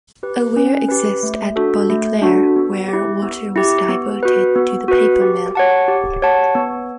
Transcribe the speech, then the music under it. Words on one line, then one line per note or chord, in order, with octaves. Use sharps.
A weir exists at Ballyclare where water was diverted to the paper mill.
G4 B4
C#4
G4 B4
A3
D4 F#4 A4
A3
D4 F#4 A4
B3
E4 G4
B3
E4 G4
B3
F#4 B4
B3
F#4 B4
G4
C#5 F#5 A5
G4
C#5 F#5 A5
B3